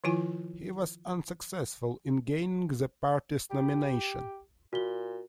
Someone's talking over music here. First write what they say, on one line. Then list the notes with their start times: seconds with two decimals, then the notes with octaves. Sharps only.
He was unsuccessful in gaining the party's nomination.
0.04 D#3 F3 E4 F4 G#5
3.50 G4
4.73 A#2 F#4 G7